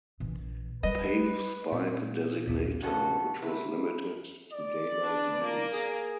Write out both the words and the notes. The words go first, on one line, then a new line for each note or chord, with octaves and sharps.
Pave Spike designator, which was limited to daylight use.
A#1 E3
G3 B4 D#5
A#2 C4
A#1 D#2 A#2
B2 D3 F3 C#4 F#4 A4
C3 E4 B4 E5
D5
D4 B4
A#3 D7
G#4